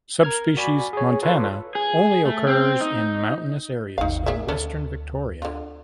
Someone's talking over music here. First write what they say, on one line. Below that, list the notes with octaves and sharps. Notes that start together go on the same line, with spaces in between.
Subspecies "montana" only occurs in mountainous areas in western Victoria.
A#4 F6 G#6
F#4 D5 G#5 B5
G#4 C#5
F4 A4 B4 C#5 F5
G#4
A3
C4
D#4
G#1 D#2 D#4 F5
A#3 G#4 E5
D2 C#4 A4 B4
D3 F4